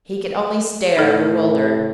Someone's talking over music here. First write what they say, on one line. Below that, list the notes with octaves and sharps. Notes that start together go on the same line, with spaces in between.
He could only stare, bewildered.
A2 D#4 A4